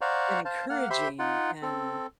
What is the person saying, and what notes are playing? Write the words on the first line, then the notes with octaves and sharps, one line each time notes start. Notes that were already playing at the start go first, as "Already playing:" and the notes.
been encouraging and
C5 D5 F5 F#5 A#5 C#6
C5 F5 A5
A#3 F#5 F6
G4 C5 E5 B5 C6
D#4 F4 F#5
C4 A4